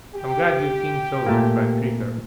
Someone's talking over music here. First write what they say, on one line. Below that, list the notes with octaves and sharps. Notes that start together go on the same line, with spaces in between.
"I'm glad you think so," replied Creaker.
G4
A#2 A3 A#3